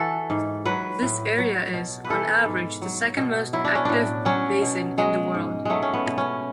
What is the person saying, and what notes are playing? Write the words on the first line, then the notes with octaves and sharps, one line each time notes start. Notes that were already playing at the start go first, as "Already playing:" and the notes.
This area is, on average, the second-most active basin in the world.
Already playing: E3 F#4 A4
G#2
F#3 B4
A2
F#3
B2
B4
E3 A4
G#2
F#3
B2
F#3 E4
D4
C#4
A2 D4
F#3 C#4
B2
F#3 G#3
G#2
F#3 G#3 A3
C#4
B3
B2
C#4